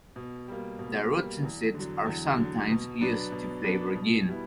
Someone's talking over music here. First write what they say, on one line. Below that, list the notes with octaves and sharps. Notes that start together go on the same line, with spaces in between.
The roots and seeds are sometimes used to flavor gin.
B2
G3 A#3
B2
G3 A#3
E2
D3 F#3
E2
D3 F#3
B2
F#3 B3 D4
B2
F#3 B3 D4
B2
G3 B3 E4